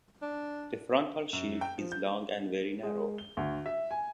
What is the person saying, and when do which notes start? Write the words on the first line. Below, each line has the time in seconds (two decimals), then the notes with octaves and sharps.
The frontal shield is long and very narrow.
0.22 D4
1.33 F#2
1.61 G5
1.78 F3
1.92 G6
2.83 G#3
3.18 G7
3.37 D2
3.66 E5
3.91 G#5